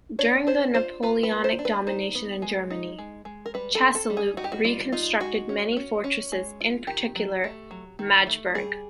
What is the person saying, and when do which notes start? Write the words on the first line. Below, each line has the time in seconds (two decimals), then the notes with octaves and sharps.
During the Napoleonic domination in Germany, Chasseloup reconstructed many fortresses, in particular Magdeburg.
0.19 D4 C#5
0.47 D4 C5
0.75 F4 C5
1.03 F4 B4
1.23 B4
1.31 A#3
1.44 C5
1.59 D4
1.65 B4
1.87 D#4 C5
2.15 B3
2.42 G#3
2.70 D#4
2.99 G#3
3.25 G#3
3.46 A#4
3.54 G3 B4
3.75 A4
3.81 C4
3.95 A4
4.10 G3
4.17 G#4
4.37 D#4 F#4
4.44 G4
4.52 F#4
4.64 G3 F4
4.92 D#4 F4
5.20 G#3 F#4
5.49 C#4
5.77 C#4
6.04 C#4
6.32 G#3
6.61 F4
6.87 D#3 G4
7.15 F#3
7.44 A3
7.71 F#3
7.99 D#3
8.27 A3
8.55 G3 G#4